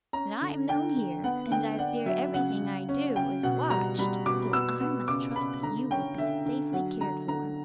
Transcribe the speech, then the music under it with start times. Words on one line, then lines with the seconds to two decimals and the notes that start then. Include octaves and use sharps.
"But I am known here, and I fear everything I do is watched. So I must trust that you will be safely cared for."
0.13 C#4 A#5
0.41 D3
0.69 D3 G5
0.96 D3
1.24 B3 F#5
1.51 D3 G5
1.78 D4 F#5
2.06 F#3 E5
2.33 C#3 F#5
2.61 C#3
2.89 C#4
3.16 C#3 G5
3.43 B2 F#5
3.70 G3 A#5
3.98 G3 B5
4.26 B2 D6
4.53 B3 E6
4.80 B3
5.08 C#3 D6
5.36 C#3 B5
5.63 D3 A#5
5.91 C#4 G5
6.18 D3 E5
6.45 D3
6.73 F#3 F#5
7.01 D3 A#5
7.28 D3 A#5